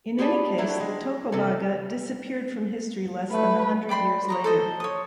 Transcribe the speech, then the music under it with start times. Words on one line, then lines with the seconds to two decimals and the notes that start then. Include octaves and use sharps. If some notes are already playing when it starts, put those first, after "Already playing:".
In any case, the Tocobaga disappeared from history less than a hundred years later.
0.18 G4 G#4 B4 D5 A5
0.58 F#3 A3 D4 E4 F#4 G4
0.80 G#3
1.32 C3 E3 A4
3.31 A3 B4
3.89 D5 G5 B5 C6
4.28 C#5 D#5 A#5
4.44 A4 C5 D#5
4.80 C#5 D#6